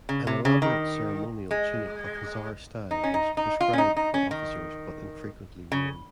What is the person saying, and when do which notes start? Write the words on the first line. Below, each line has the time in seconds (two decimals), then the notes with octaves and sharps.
An elaborate ceremonial tunic of hussar style was prescribed for officers but infrequently worn.
0.09 C#3
0.27 C3
0.45 C#3
0.62 D#3
1.51 G#3
2.91 D#4
3.04 C#4
3.14 D#4
3.37 D#4
3.61 F4
3.73 C#4
3.78 D#4
3.96 D#4
4.14 C#4
4.31 D#3
5.72 C#3